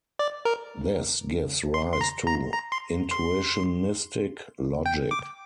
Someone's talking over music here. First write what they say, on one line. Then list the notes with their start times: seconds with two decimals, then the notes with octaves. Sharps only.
This gives rise to intuitionistic logic.
0.19 D5
0.45 A#4
1.74 C6
1.94 C6
2.01 A#5
2.27 A#5
2.53 A#5
2.72 C6
3.11 C6
4.86 G5
5.11 D6